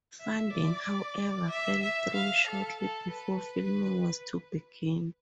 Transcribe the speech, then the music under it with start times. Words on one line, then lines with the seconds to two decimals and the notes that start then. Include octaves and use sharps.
Funding however fell through shortly before filming was to begin.
0.20 E5
0.53 D5
1.50 E5
1.82 E5
2.15 F5
2.47 A4
2.79 A4
3.11 B4